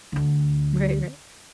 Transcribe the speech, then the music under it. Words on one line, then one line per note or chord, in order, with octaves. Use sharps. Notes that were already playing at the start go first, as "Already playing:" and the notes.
Right, right.
D2 D3